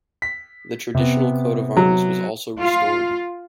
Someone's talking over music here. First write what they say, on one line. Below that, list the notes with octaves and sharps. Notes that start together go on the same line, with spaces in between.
The traditional coat of arms was also restored.
B6
C3 B3
F#3
F4